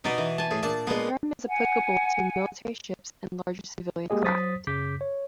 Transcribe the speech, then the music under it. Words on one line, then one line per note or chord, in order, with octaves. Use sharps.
The term is applicable to military ships and larger civilian craft.
B2 B3 D#4 D5
E3
G#5 A5
A2 G#4
A#2 D4 D5 A5
A#2 G#3 A#3 B3
F#5 G#5
G#3 A#3 G4 G#4 D#5
F#3 C5 D#6 A6 B6
F#2 C#3 D6 G6 B6
C#5